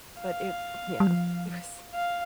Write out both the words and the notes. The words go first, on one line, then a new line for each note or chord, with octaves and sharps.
But it yeah. It was
F5
G3
F3
F5